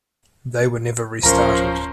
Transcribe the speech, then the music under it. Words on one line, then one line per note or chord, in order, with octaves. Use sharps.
They were never restarted.
D1 F3 C#4 A#4 C5 A#5